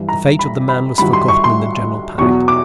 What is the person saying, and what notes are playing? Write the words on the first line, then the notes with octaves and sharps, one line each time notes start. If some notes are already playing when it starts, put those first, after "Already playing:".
The fate of the man was forgotten in the general panic.
Already playing: G2 E3
A#5
B5
B5
G2 D#3 F#3 B5
C6
C#6
C6
E2 B2 F#3 C#6
D6